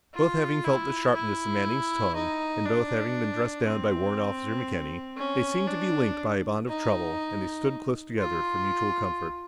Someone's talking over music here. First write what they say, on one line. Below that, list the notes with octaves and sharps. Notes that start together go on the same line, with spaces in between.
Both having felt the sharpness of Manning's tongue, and both having been dressed down by Warrant Officer McKenny, they seemed to be linked by a bond of trouble and they stood close together for mutual comfort.
F4
E4
E4
D#4
D4
C4
C#4
D4
D#4
F4